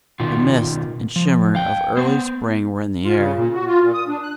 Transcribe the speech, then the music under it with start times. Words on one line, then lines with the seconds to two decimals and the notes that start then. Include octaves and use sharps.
The mist and shimmer of early spring were in the air.
0.20 B2 D#3 F4
1.16 F3
1.55 F5 G5
1.97 B3 C5
3.05 F4
3.17 C#3
3.35 A#2
3.53 F#4
3.67 F4
3.82 A#2
3.94 D#6
4.08 D4
4.23 F#6